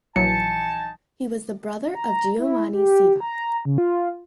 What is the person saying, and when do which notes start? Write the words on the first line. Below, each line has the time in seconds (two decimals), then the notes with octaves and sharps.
He was the brother of Giovanni Ceva.
0.16 A#1 E3 F#3 D#4 G#5 A5 C#7
1.94 A#5
2.39 E4
2.74 G4
3.20 A#5
3.65 C#3
3.78 F4